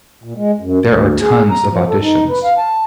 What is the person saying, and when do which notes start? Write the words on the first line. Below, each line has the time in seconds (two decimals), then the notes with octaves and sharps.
There are tons of auditions.
0.24 A#2
0.36 G#3
0.60 F#2
0.85 D2
1.20 G#4
1.50 A#5
1.69 F3
1.89 A4
2.01 D#4
2.29 B4
2.44 F5
2.58 A5